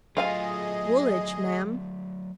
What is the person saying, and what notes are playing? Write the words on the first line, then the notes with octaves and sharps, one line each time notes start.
"Woolidge, ma'am."
F#3 A3 F4 G#4 D#5 F5 G#5